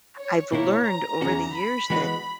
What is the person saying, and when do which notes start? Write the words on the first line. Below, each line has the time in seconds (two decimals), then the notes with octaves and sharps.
I've learned over the years that
0.18 C#5
0.52 B2 A#3 E4 A#4 C#5
0.87 A#5
1.21 E2 C#3 F#3 C#4 F#4
1.56 B5
1.90 E3 G#3 B3 F#4 B4